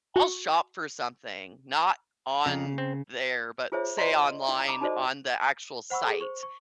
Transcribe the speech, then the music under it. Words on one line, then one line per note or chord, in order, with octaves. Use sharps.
I'll shop for something not on there, but say online on the actual site,
F#4 C#6
F2 C#3 A#5
C4
F4 G#4 C5 C#5 E5
D5 D#5 A#5 C6
E4
A#5 B5 D6 D#6
D#4 F#4 A4 C5 D5 D#5
C5 F#5 B5 C#6 E6
G#4 A4
C5 C#6
C#6